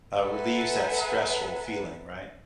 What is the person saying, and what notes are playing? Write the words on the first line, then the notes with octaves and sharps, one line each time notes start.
uh, relieves that stressful feeling, right?
A4 B4 E5 F#5 G#5 A#5